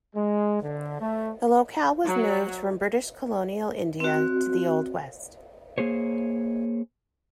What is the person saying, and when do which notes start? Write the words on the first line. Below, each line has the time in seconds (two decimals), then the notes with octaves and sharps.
The locale was moved from British-colonial India to the old West.
0.15 G#3
0.62 D3
1.00 A3
2.05 F#3
4.00 C4 F#4
5.78 A#3 G#4 C5 C#5